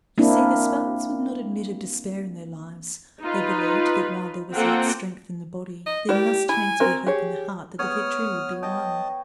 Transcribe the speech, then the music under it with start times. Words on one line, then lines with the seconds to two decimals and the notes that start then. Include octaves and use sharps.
You see, the Spartans would not admit of despair in their lives; they believed that while there was yet strength in the body, there must needs be hope in the heart that the victory would be won.
0.18 A#3 C4 D4 E4
3.22 D#4 F4 B4
4.53 A#3 C4 F4 A4 F#5 G5
5.86 D#5
6.09 E4 G4 A#4 D5
6.49 E4 G#5 B5
6.80 C4 F#4 A#4
7.07 G4 G#4 C#5
7.79 B3 C#5 D#6 F6
8.63 D#5 G5 A5 D#6